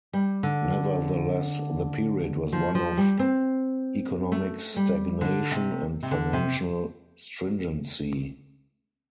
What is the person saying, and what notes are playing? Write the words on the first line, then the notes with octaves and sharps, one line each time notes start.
Nevertheless, the period was one of economic stagnation and financial stringency.
G3
D3
F3
F3
G3
C4
A3
G3
D3
C3
C3
D3
C3